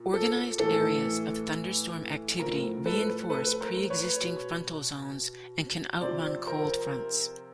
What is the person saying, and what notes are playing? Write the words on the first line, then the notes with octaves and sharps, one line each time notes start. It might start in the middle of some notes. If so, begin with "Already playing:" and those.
Organized areas of thunderstorm activity reinforce pre-existing frontal zones, and can outrun cold fronts.
Already playing: A#2
A4
A2 E3 A4
A2 F3 A#4
A4 B4
A4 B4
A#4 C5
B4 C#5
B2
C3 F3 C5 D5
A#4 C5